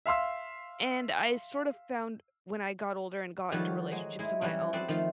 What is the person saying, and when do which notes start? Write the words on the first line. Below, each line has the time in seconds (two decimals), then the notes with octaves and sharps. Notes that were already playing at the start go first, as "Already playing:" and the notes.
And I sort of found, when I got older and got into relationships of my own,
0.06 E5 F5 C6 E6
3.52 D#3 F3 G3 F#4 A4 C#5
3.91 F#3 G#3
4.19 G#3 E4
4.41 E3 F#3 G3 C#4
4.73 C4 A4 B4 D5
4.88 D#3 F3 A3 F4